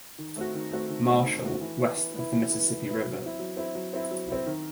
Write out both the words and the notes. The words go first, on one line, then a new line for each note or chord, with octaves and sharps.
Marshal west of the Mississippi River.
D#3
A3 C4 F#4
D#3
A3 C4 F#4
D#3
A3 C4 F#4
D#3
A3 C4 F#4
E3
B3 E4
E3
B3 E4
E3
B3 E4
E3
B3 E4
F#3
C4 E4
F#3
C4 E4
F#3
C4 E4
F#3
C4 E4
D#3